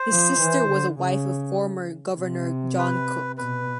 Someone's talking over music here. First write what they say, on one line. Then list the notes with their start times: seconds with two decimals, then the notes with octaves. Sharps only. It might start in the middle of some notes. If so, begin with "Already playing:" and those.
His sister was the wife of former Governor John Cook.
Already playing: C5
0.10 F3
0.40 E3
0.69 D3
0.99 C#3
2.18 C3
2.78 B4
3.38 B2 B4